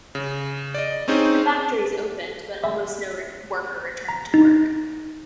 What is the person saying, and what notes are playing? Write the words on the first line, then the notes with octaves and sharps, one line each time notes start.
The factories opened but almost no worker returned to work.
C#3
D5 D#5
C4 C#4 D#4 G#4 C5
E5
A#5
D#4